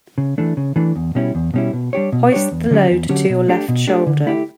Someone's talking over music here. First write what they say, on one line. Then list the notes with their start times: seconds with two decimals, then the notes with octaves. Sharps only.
Hoist the load to your left shoulder.
0.18 C#3
0.38 E3 A3 D4
0.57 C#3
0.76 E3 A3 D4
0.96 E2
1.15 B2 G3 C#4 E4
1.35 E2
1.54 B2 G3 C#4 E4
1.73 B2
1.93 G3 D4 G4 C#5
2.12 B2
2.32 G3 D4 G4 C#5
2.52 E2
2.71 D3 F#3 C#4 G4
2.91 E2
3.09 D3 F#3 C#4 G4
3.30 B2
3.48 A3 D4 G4
3.68 B2
3.87 A3 D4 G4
4.07 D3
4.26 A3 E4 G4